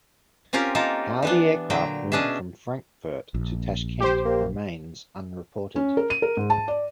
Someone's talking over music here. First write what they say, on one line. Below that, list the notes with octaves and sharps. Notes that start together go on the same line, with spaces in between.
How the aircraft moved from Frankfurt to Tashkent remains unreported.
C4 C#4 F4 G4 A#4
A#3 D#4 F4 A4 A#4
E3 B3 D4
A#2 D3 F#3 G5
B2 C#4 D4 G#4 E5
A#1
G4 C5
A#3
C#4
A#4
D#7
A#4
G#2
A5
D5